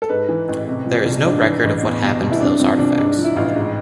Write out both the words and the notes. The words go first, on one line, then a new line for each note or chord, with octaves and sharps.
There is no record of what happened to those artifacts.
A4
G#2 B4
E3
A1
C3
F3
C2
G#2 D4
E3
A1
E2
B2
F1
E4
C3 D4
F3 C4
C2 D4
G#2 D4
F3
E4
A1 F4
G#2